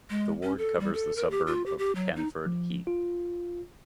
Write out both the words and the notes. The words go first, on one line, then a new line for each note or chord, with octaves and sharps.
The ward covers the suburb of Canford Heath.
G#3
C#4
A4
G3
A4
A#4
G4
F4
G4
G4
F#3
D#4
F3
F4